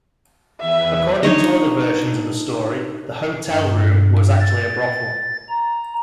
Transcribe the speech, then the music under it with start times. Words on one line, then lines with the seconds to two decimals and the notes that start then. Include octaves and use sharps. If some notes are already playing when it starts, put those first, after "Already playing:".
According to other versions of the story, the "hotel room" was actually a brothel.
0.61 E2 E3 B4 E5
1.23 D4 D#4 C#5 D#5
3.48 G2
4.39 A6
5.49 A#5